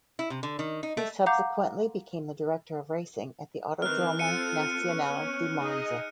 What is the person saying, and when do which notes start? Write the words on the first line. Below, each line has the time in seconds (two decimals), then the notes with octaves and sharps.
He subsequently became the director of racing at the Autodromo Nazionale di Monza.
0.19 E4
0.30 C3
0.43 D3
0.59 D#3
0.83 D#4
0.97 A3
1.26 F5 F#5 A#5 D6 G6
3.82 D#3 E3 C4 F6 F#6
4.19 C4 F4 A4 C#7 D#7
4.84 B3 C#4
5.58 D#4 G#4 D#5